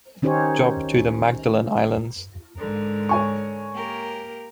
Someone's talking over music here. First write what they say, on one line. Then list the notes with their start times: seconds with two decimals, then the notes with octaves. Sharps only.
Job to the Magdalen Islands.
0.22 D#3 C#4 D#4 G4 C5 C#5
2.56 G#2 D3 A#4
3.09 C#5 G#5 C#6
3.73 A#3 G4 A#4